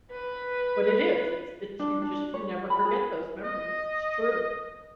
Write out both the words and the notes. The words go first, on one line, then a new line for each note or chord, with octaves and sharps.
but it is, it's it's you just you never forget those memories. It's true.
B4
D4
D4
C#5
B5
G#4
D#5